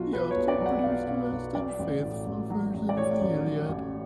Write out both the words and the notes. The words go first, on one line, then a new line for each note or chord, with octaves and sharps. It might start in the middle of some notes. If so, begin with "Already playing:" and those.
He also produced a less-than-faithful version of the "Iliad".
Already playing: B1 B2 F#3 F4 F#4
B2 B4
C#5
B1
D5
F#3
F#5
B1 F5
B2
B1
F#3 D5
A1
A2
A1
F#3
A1
D5
A2 C#5
A1
F#3
A1